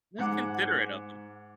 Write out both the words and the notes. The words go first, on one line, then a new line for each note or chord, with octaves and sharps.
That's considerate of them.
G#2 F#5 D6